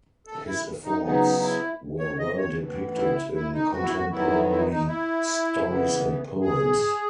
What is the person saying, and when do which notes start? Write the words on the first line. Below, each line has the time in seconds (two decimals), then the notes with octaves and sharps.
His efforts were well depicted in contemporary stories and poems.
0.27 A4
0.45 E4
0.84 D#4
1.03 C#3 F#3 B3 D#4
1.37 D#4
1.42 E4
1.99 C#5
2.19 D#5
2.37 C#5
2.58 A2 E3 B3
2.96 E4
3.34 E4
3.54 D#4
3.73 F#4
3.83 E4
3.92 F#4
4.11 D#3 F#3 B3 E4
4.50 E4
4.56 D#4
4.71 D#4
4.88 E4
5.64 C#3 E3 B3
6.41 G#4